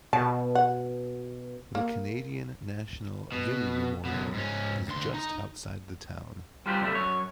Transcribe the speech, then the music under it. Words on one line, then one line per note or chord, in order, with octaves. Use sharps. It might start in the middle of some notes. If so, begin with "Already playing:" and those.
The Canadian National Vimy Memorial is just outside the town.
B2 A5
F#5
A#3
B2
F#2 B2
G#2 C#4
D2 C6
D#4
G3 F4 G4 B4 C5
F2 G3 A3 E4
F#2 C#5